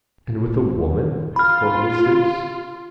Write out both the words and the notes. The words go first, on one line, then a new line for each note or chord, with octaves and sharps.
And with a woman, for instance.
F4 B5 F6